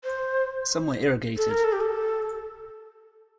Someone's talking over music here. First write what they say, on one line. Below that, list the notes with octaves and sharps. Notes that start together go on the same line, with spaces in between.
Some were irrigated.
C5
A4
A#4
A4
G4
A4